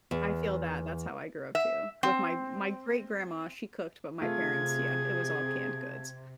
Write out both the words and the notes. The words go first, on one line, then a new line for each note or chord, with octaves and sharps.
I feel that, that's how I grew up too, with my my great grandma, she cooked, but my parents yeah, it was all canned goods.
E2
E5
C4
C3 A3 F4 G#4 G#6